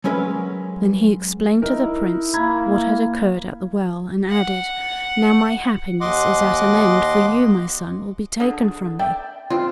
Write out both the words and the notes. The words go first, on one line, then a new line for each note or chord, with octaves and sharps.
Then he explained to the Prince what had occurred at the well, and added, "Now my happiness is at an end, for you, my son, will be taken from me."
F#3 G#3 C#4 A#4 B4 E5
D#4 E4 A#4
A#3 A#5 B5 G#6
F#5
D#2 D#5 F#5 C6 D6
D3 G#4
D5 E5 G5
C#3 G3 C4 F4